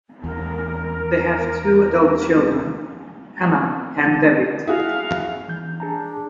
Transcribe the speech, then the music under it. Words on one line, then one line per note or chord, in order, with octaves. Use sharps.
They have two adult children, Anna and David.
E2 A#4
E4 F#4 G#4 F5
E3 G6
D4 G#4 A5 A#5